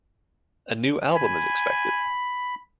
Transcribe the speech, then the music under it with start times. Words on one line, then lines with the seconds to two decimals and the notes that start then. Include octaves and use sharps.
A new album is expected.
1.15 G#5 B5